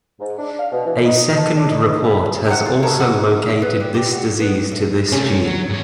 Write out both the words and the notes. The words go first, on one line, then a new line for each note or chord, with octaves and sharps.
A second report has also located this disease to this gene.
G#2
D4
F5
B2
E3
D#4
A5
D4
D#4
E2
B5
C3 F#5
F4
A4 A#4 C#5
F#4
E3
E5
B3
G3
G4
F#4
G2
B3
G#2
A2
C3 A3 C#4
G2 F#3
F#3
G#2 C#5